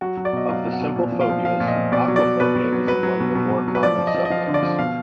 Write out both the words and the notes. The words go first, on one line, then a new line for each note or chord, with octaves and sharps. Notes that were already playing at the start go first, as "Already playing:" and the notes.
Of the simple phobias, aquaphobia is among the more common subtypes.
F#3 F#4
F#3
D5
B2 D#5
F#3 F5
B2
F#5
B2
A#2
F3
F5
F3
F3 F5
A#2
D#5
F3
B2 D5
F#3
D5
F#3
B2 B4
B2
F#3
F#3 B4
F#3
B2
B2
B2
F#3
B4
F3 D5
F3
D#5
F3
D#5
F3 F5
D3
D5
F3
B2 F5